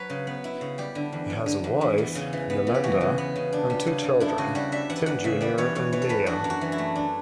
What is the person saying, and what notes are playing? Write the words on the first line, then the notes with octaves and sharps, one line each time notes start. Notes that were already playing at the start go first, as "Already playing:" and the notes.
He has a wife, Yolanda, and two children, Tim Junior and Nia.
Already playing: F#3 B4 C#5
C#3
B3
E4
C#3
G3 G4
D3
E2
D3
D3
E2
E2
E2
C#3
E3
B3
C#3
G4
E3 F#4
C#3
B3
C#3
D4
G3
C#3
C#3
D4 E4
C#3 F#4
G3 F#4
G3 E5
E3 F#5
E2 F#5
C#3 E5
G3 D5
E3 C#5
E3 C#5
E3 C#5
A4
E2 B4
D4 F#4
F#2
F#4
E3
E4
A3
D4